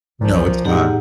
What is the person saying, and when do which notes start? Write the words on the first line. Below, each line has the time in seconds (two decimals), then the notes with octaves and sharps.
No, it's not.
0.21 C2 A#2 F3
0.65 A2 D3 G#3 D#4 G4 G#4 F#5